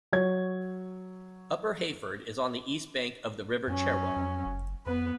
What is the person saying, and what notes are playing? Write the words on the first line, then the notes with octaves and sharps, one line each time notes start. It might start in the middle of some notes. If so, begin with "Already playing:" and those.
Upper Heyford is on the east bank of the River Cherwell.
F#3 C#5 G#6
F#2 F#3 C#4
F2
F#1
F2 B3 B4